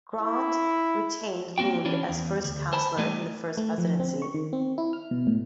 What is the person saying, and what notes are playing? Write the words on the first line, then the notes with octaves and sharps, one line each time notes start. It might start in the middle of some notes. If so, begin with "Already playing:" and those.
Grant retained Lund as first counselor in the First Presidency.
E4
A#3 C4 F#4 G5
E3 C#4 D4
E2
D2
C5 G#5 A5 B5
E3 G3 A3 C4 D#4
A3
F3
C4
C#6
D#3
C4
E4
F6
B2
A2